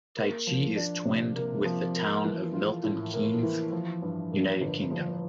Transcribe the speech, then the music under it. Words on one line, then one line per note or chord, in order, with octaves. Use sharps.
Tychy is twinned with the town of Milton Keynes, United Kingdom.
A#3
F3
D4
C3
A#3
F3
A#3
E3
F4
A2
A#3
E3
F3
G2
A#3
G1
F3